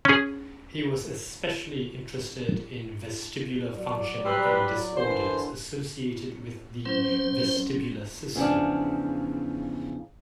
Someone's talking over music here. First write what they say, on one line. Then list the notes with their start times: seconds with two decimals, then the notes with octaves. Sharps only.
He was especially interested in vestibular function and disorders associated with the vestibular system.
0.05 C#4 G#4
3.77 F#3 D5
4.25 G3 C4 B4
4.97 D3 E3 A#4 C5
6.85 F#3 C4 C#4 C5
8.35 E2 C#3 F3 D4